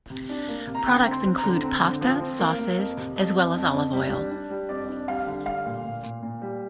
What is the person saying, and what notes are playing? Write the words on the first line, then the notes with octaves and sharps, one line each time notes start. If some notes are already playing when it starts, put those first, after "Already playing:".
Products include pasta, sauces, as well as olive oil.
C3
D4
A#3
C3
A#5
D3 G5
C4
C6
C4
A#5
D3
C4
D3
F3
C4
A#3
A#3
F2
C3
F2
F2
F2
F2
G3
D4
D4
G3
F2 D5
D4
G3 F5
D3
G3 F5
A#2
A#2
A#2
A#2
G3